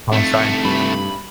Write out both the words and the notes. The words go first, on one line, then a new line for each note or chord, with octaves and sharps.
Oh, sorry.
F1 C2 A3
G2 B5